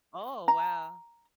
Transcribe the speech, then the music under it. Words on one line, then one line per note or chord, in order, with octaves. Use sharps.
Oh, wow.
A#5